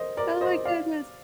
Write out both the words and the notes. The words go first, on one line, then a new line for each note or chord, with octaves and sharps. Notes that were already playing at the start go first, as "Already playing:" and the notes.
Oh my goodness.
Already playing: A#4 C5 D#5
A#4 D5
C5 D#5
D5 F5